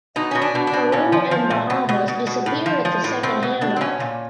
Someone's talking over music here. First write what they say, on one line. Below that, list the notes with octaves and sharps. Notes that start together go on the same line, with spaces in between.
Peru and Bahamas disappeared at the second handoff.
B2 D#4
B2 C#4
D4
B2
D4
B2
A#2 C#4
F3
F3
A#2
B2
B2
B2
B2
A2
F3
F3
A2
B2 C4
B2
B2 D4
C4
B2 C#4
A#2